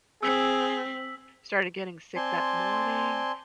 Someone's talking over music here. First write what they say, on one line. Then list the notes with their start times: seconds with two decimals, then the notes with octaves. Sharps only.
started getting sick that morning,
0.23 C4 G#4 E6 B6
2.16 C4 D5 G#5 A5 C6